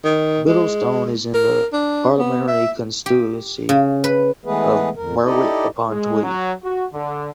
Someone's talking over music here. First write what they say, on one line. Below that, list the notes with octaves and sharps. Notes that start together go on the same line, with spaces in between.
Biddlestone is in the parliamentary constituency of Berwick-upon-Tweed.
D#3
G#3
A#4
D4
B3
E5
G4
C#3
B4
E3 G#3 A3 B3 G#4 B4
F2 A#4
D#4 E4 G4 A4 D5 D#5
G#3
F#3
F#4
D3